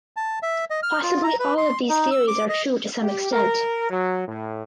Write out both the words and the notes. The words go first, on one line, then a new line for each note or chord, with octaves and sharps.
Possibly all of these theories are true to some extent.
A5
E5
D#5
F6
F4
A#5
B4
C6
D#4
E6
D6
D#5
G4
A#4
F#3
A2